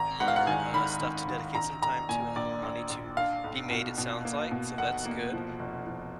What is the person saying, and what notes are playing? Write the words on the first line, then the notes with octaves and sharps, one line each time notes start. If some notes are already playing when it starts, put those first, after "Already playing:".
more, uh, stuff to dedicate some time to and more money to be made, it sounds like, so that's good.
Already playing: G#1 A#5
G#2 F#5
F5
F#5
D#3 G#5
D#3 B5
D#3
D#3
A#1 A#5
A#1 A#5
A#2 G#5
A#1 D5
A#1
A#1
D4 F5
B1
B2
B2
A#3
B2
F1 F#5
A#3
F3
F1
F3